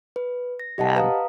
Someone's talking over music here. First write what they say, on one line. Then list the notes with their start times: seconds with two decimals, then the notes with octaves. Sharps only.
Yeah, m
0.16 B4
0.60 A#6
0.78 G4 D#5 F#5 A5
0.96 B4 F5 A#5 D#6